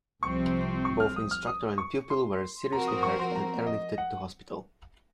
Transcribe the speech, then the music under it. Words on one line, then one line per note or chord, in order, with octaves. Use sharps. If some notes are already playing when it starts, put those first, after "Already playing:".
Both instructor and pupil were seriously hurt and airlifted to hospital.
C2 C3 F3 C4 C#6
C#6
F6
D#6
F6
D#6
C#6
C6
F3 C4 F#4 A#4 A#5
D#6
C#6
C6
A#5
D#5
F#5